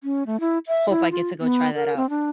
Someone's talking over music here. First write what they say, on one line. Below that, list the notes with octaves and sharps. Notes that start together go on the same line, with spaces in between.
hope I get to go try that out.
C#4
A3
E4
E5
E4
F4
B3
A#4
C4
D4